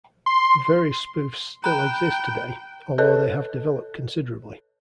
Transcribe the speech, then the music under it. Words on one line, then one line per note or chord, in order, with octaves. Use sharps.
Various spoofs still exist today, although they have developed considerably.
C6
G5 A#5 B5 F#6
A4 B4 C#5 D#5 A5 F#6